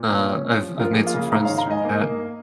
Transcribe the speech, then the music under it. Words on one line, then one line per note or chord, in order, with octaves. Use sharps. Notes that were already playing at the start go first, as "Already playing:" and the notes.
Uh, I've I've made some friends through that and
Already playing: A#2
C#4
C#4
C#4
F3
F3 F4 A#4
G#4
A#3
F4
C#3
G#4
G#2 F5 A#5
C#5 F5
D#3
F5 A#5
G#2 D#5 G#5
A#3
A#3